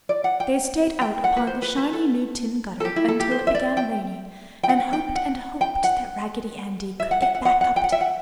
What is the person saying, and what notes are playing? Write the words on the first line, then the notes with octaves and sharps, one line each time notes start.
They stayed out upon the shiny new tin gutter until it began raining and hoped and hoped that Raggedy Andy could get back up to them.
D5
F#5
G5
G5
F#5
B4
C5
B4
B4
A4
A4
G4
E4
A4
G4
C5
E5
D5
G5
G5
F#5
G5
F#5
G5
F#5
E5
F#5
F#5
F#5
F#5
F#5
G5
F#5
E5
F#5